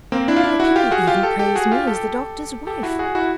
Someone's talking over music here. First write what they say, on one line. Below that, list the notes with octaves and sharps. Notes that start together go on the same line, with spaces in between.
The people even praise me as the doctor's wife.
A#3 C4
D4 E4
F4
D4 E4
E4 F#4
F4 G4
F#4 G#4
F4 G4
G4 A4
G4 A4
F#4 G#4
F4 G4
G4 A4
G4 A4
E4 F#4
F#4 G#4
E4 F#4